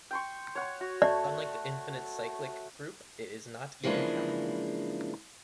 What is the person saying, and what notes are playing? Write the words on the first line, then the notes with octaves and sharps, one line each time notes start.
Unlike the infinite cyclic group, it is not even countable.
G5 C6 C#6
C#5 F#5
F#4
A3 D5
C#3 E3 F3 G#3 A#3 D4